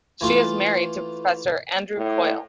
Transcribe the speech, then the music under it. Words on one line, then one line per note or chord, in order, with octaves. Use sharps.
She is married to Professor Andrew Coyle.
E3 A3 F4
A2